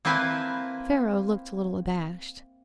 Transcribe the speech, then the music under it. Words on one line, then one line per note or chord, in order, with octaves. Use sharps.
Pharaoh looked a little abashed.
A#3 C4 E4 B4 G#5 A5